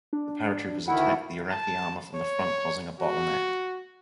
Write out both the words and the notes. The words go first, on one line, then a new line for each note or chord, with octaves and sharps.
The paratroopers attacked the Iraqi armor from the front causing a bottleneck.
D4
D2 D#3 E4 F#5
A5
C#5
F#4